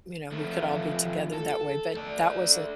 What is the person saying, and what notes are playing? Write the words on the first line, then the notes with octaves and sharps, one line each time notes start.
you know, we could all be together that way, but that wasn't
F3 A3
A4
A3 D5